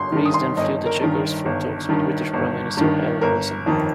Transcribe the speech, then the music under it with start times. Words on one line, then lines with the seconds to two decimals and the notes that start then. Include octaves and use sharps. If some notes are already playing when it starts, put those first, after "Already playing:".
Rees then flew to Chequers for talks with British Prime Minister Harold Wilson.
Already playing: G1 C6
0.12 G2 D#3
0.25 D#6
0.34 C6
0.57 G1 D#5
0.86 A#4
1.01 G2 D#3
1.45 G1
1.89 G2 D#3
2.33 G1
2.77 G2 D#3
3.21 G1 A#4
3.66 F2 D#3